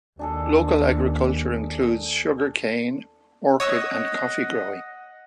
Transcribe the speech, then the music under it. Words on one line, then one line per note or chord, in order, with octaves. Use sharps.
Local agriculture includes sugar cane, orchid and coffee growing.
D#2 D4 G#4 A4
C#5 D#5 F#5 D#6 E6